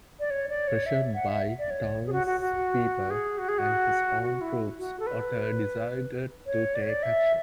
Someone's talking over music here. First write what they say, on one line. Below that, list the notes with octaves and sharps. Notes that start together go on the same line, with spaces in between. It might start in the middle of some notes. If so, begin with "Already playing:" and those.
Pressured by the townspeople and his own troops, Otter decided to take action.
D5
C#5
D5
C#5
E5
F#5
E5
D5
C#5
G#4
F#4
F#4
F#4
G#4
F#4
G#4
F#4
F#4
E4
F#4
A4
B4
C#5
D5
C#5
D5
E5